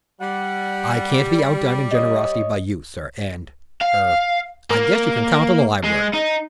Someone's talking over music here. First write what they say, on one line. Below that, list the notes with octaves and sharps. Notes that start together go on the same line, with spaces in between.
I can't be outdone in generosity by you, sir, and--er-- I guess you can count on the library.
G3 F#5
C#5 D#5 D#6
F5
A#3
G#3
D#4